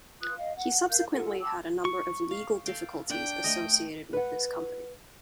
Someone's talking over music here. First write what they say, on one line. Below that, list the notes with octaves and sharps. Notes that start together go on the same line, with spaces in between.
He subsequently had a number of legal difficulties associated with this company.
F4 B4 D#6 F#6
D#5 F5
F#5
A#4 F5 G6
F4 A4 A#4 F#5
G5 A5 D6 E6
C#6
F5
A4 F5 G5
D4 G5 B5
A3 D#5
B4 F#5